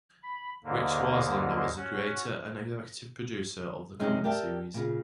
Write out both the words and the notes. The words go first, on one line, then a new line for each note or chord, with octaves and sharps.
Ric Swartzlander was the creator and executive producer of the comedy series.
B5
D#2 G#2 D3 A#3
C#4 F#4
C3 G#3 C#4 D#4 G#4
G4 A#4 D5 E5 G5 A5
A#2 C#3